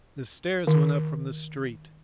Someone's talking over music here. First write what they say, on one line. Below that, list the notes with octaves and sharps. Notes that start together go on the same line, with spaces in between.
The stairs went up from the street.
D#3